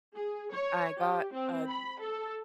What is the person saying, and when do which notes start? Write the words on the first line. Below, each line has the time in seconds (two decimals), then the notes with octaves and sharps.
M I got a
0.15 G#4
0.52 C#5
0.99 G4
1.33 C4
1.68 B5
1.99 A4